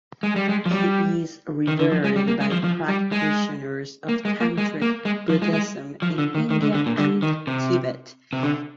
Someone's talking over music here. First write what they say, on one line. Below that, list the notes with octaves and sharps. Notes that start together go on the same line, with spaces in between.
He is revered by practitioners of tantric Buddhism in India and Tibet.
G#3
G3
G#3
F3
G3
D#3
D3
F3
G#3
G3
A#3
G#3
F3
F3
G3
G#3
A#3
G#3
A#3
G#3
A#3
G#3
F3
G#3
G#3
F3
D3
D#3
D#3
D3
D3
A#2
D3
D#3
C3
C3
D3